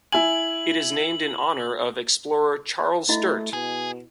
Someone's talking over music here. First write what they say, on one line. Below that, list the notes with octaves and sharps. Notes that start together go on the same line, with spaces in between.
It is named in honour of explorer Charles Sturt.
E4 G#5 F#7
A3 E4 F#4 D#5
B2 G#4